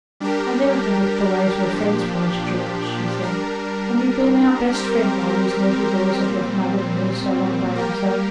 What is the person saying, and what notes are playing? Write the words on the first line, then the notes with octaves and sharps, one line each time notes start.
'I never forget the way to a friend's place, George,' she said, 'and you've been our best friend while these naughty boys have left mother and me so long by ourselves.
G3 D4 G4 A#4
A#2 F3 D4 G4
G3 D4 A#4
G3 C4 G4 A#4
A#2 G3 C4
G3 A#3 G4 A#4